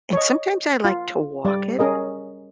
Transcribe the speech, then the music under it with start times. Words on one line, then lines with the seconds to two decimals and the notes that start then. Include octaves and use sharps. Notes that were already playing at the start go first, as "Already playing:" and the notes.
and sometimes I like to walk it
0.13 C#5 D#5
0.85 F4
1.45 G3 D5
1.79 C#4 G#4 A#4 D#5